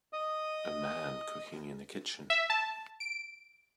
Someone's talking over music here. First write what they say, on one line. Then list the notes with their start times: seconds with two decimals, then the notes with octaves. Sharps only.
A man cooking in a kitchen.
0.13 D#5 D#6
2.30 E5
2.50 A5
3.00 D7